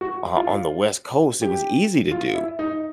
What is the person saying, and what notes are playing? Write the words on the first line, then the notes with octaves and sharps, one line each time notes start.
o on the West Coast, it was easy to do,
F#4
F4
G4
F4
E4
D#4